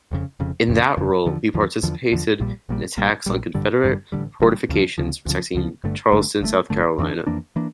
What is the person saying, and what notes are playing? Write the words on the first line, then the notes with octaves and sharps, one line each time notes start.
In that role, he participated in attacks on Confederate fortifications protecting Charleston, South Carolina.
F1 F2 C#3
F1 F2 C#3
F1 F2 C#3
F1 F2 C#3
E2 D3 F3
E2 D3 F3
E2 D3 F3
E2 D3 F3
A#1 A#2 G3
A#1 A#2 G3
A#1 A#2 G3
A#1 A#2 G3
A1 G2 D3 G3
A1 G2 D3 G3
A1 G2 D3 G3
A1 G2 D3 G3
D2 C#3 F3
D2 C#3 F3
D2 C#3 F3
D2 C#3 F3
G1 G2 D3 A3
G1 G2 D3 A3
G1 G2 D3 A3
G1 G2 D3 A3
F2 E3 A#3 D4
F2 E3 A#3 D4
E3 A#3 D4